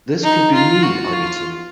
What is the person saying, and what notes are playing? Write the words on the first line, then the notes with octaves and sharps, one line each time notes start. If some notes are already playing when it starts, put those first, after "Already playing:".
This could be me I'm eating.
D#4
F4
F#4
F4